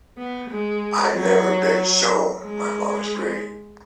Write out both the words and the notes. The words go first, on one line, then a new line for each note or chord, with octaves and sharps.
I had never been shown my mama's grave.
B3
G#3
F#3
G#3